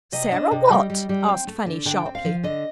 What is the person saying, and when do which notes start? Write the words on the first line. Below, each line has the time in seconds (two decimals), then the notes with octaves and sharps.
'Sarah what?' asked Fanny, sharply.
0.12 C3 D#5
0.32 D4
0.51 C3
0.70 G3
0.90 G3
1.09 G3
1.28 C4
1.47 A3
1.66 D3
1.85 D3 G5
2.06 C4
2.15 F5
2.25 F3
2.43 D3 D#5